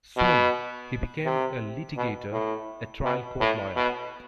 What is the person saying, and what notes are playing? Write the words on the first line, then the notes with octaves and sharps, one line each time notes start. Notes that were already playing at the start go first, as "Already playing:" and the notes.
Soon, he became a litigator, a trial court lawyer.
B2
C3
B2
A2
B2
A2
B2